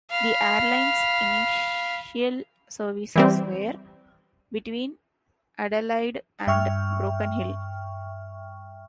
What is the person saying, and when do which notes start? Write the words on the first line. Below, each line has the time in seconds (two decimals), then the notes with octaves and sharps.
The airline's initial services were between Adelaide and Broken Hill.
0.11 F5 B5
3.16 E3 G3 C4
6.47 G2 E5 G5 C#6 F6